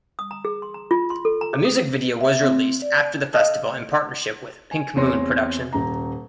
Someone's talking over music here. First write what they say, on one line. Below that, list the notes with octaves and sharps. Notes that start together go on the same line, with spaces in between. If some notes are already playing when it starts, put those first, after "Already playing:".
A music video was released after the festival in partnership with "PinkMoon" production.
D#6
A#5
G#4
C6
A#5
F4
C6
A4
A#5
G#4
D#6
E5
C4
D5
A4 D#5 F5
G#5
E2 C4 C#5 C6 A#6
D#1 A#5